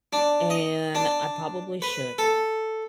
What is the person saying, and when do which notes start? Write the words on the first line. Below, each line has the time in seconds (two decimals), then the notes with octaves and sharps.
And I probably should,
0.13 D4
0.50 D#5
0.95 D4
1.82 B4
2.18 A4